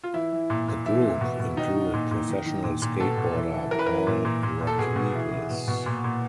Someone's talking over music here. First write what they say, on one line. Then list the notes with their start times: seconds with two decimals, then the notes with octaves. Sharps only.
The group included professional skateboarder Paul Rodriguez.
0.04 F4
0.14 E3 E4
0.32 E3
0.50 A#2
0.68 A#2
0.86 E3 E4
1.04 E3
1.21 B2
1.40 B2
1.57 D#3 D#4
1.75 D#3
1.93 A#2
2.11 A#2
2.29 D#3
2.46 D#3
2.64 A#2
2.82 A#2
3.00 B2 A4
3.17 B2
3.35 E3
3.54 E3
3.71 E3 A#4
3.79 B4
3.86 E3 A#4
4.07 A#2
4.25 A#2
4.43 A#2
4.61 A#2
4.67 A4
4.78 B2 G#4
4.96 B2
5.15 E3
5.31 E3
5.50 B2
5.68 B2
5.86 A#2
6.04 A#2